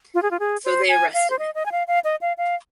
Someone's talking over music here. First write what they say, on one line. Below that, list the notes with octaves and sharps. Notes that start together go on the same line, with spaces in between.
So they arrested him.
F4
G#4
F4
G#4
C5
G#5
F5
C5
D#5
D#5
G#5
F5
F5
D#5
F5
F5